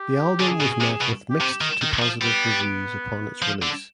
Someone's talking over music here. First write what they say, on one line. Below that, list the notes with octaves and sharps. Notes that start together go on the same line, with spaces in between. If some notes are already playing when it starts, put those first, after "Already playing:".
The album was met with mixed to positive reviews upon its release.
Already playing: G4
D3 G#4
B2
C3
B2
G4
C3
D#3
D#3
F3
G3 B3
F3
D3